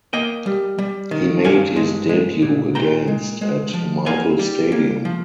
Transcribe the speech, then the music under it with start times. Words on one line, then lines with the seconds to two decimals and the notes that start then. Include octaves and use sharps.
He made his debut against at Marvel stadium.
0.13 A#3 D#5 G5
0.46 G3
0.78 G3
1.11 D#3
1.44 G2 F5 G#5
1.76 G#3
2.09 G#3
2.42 A#2
2.75 A#2 G5 A#5
3.08 G#3
3.41 G#3
3.74 F3
4.06 A#3 F5 G#5
4.39 G3
4.72 A#3
5.05 F3